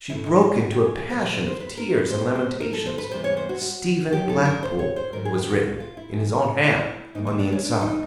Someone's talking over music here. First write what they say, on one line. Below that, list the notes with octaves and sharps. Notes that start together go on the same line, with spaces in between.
She broke into a passion of tears and lamentations: Stephen Blackpool was written in his own hand on the inside.
G#2 F3 A3 E4
D#4
F4
F#4
G4
G#4
G#4
A#2 F3 A3 C5
C5
C5
B4
A#4
B4
E2 B2 G#3 C5
C5
A#4
A4
C5
B4
E2 C3 E3 G3 C5
C#5
C5
F#4
F#4
F#2 D#3 F#3 G4
A4
A#4
C5
C#5
C5
G#2 D#3 F#3 A3 A#4
G#4
G4
F#4
F4
F4
E4
G#2 E3 G#3
E4
G#2 D#3 G3 A#3 D#4
D#4
D4
C#4
D4
D#4